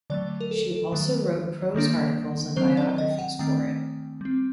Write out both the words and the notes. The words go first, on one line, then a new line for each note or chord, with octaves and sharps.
She also wrote prose articles and biographies for it.
D3 F#3 A3 D5
A#4
A4
A4
D#3 F#3 A3
D#3 G3 A#3 D4
D#3 F#3 C4 C5
D5
D#5
G5
F#5
D#3 A3 C4 G5
G3 C4